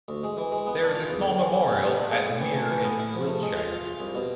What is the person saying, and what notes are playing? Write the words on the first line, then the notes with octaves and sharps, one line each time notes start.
There is a small memorial at Mere in Wiltshire.
D2
G#3
E3
G#3
B3
D4
F4
E2
D3
E3
E3
C3
B3
D4
G#3
A2
E3
A3
E3
B3
E4
F3
A3
G#3
F4
F4
F4
C2
B2